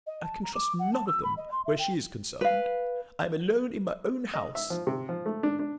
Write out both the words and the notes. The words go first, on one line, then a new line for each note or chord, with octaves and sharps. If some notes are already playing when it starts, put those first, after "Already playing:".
I can trust none of them where she is concerned. I am alone in my own house.
D#5
A5
A#5
D6
F#5
A5
E6
B5
D#5
C6
E5
G5
B4 F5
D#5
E5
F3
C3
F3
A3
D4
D4